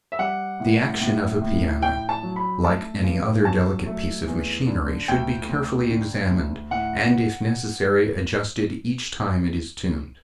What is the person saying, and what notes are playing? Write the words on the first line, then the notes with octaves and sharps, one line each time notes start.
The action of a piano, like any other delicate piece of machinery, should be carefully examined, and, if necessary, adjusted each time it is tuned.
E5
G3 F#5
A2
A2
A2
A2 G5
A5
F#3
B5
A3 A5
G2
F#3 A5
A3
E2
D3
D2 G5
D2
D3
D2
A2 F#5